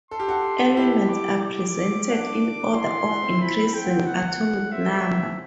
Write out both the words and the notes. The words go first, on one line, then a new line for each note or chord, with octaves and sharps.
Elements are presented in order of increasing atomic number.
A4 C6
G4
F#4 A4
E4 G4 B5
D6
D6
D4 F#4
E4 C6
F#4
E4
F#4
C4 E4
C4 E4 B5
C4
G5
B3
F#5
C4 E5